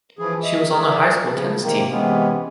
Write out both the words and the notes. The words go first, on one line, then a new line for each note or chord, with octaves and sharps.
She was on her high school tennis team.
E3 F3 G#4
D#5 E5
G#4 A#4 D5 E5
C#3 F3
C3 D#3 A#3
C3 E3 G#3 B3 C#4